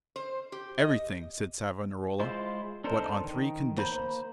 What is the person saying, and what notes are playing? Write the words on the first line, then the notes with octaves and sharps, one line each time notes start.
"Everything," said Savonarola, "but on three conditions."
C5
G4
D#5
G#3 E4 F4 C5
D4 D#4 A4 A#4 C5
D#3
A#3 C5 A#5 B5 G6